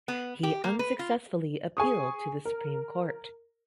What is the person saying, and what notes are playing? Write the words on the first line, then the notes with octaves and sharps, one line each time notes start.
He unsuccessfully appealed to the Supreme Court.
B3
G4
A#3
B4
F4
G#4 G#5 C#6 D#6
A#4